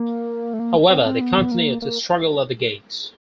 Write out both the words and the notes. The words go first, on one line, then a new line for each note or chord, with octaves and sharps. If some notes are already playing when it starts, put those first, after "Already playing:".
However, they continued to struggle at the gate.
Already playing: A#3
A3
A#3
C4
C4
B3
A#3
A#3